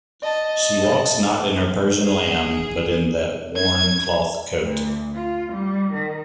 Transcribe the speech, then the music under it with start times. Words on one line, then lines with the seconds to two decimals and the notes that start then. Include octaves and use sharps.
She walks not in her Persian lamb, but in that worn cloth coat.
0.22 D#5 A5
2.04 G#4
3.56 G#6
4.60 D2
5.13 F4
5.52 G3
5.92 D#3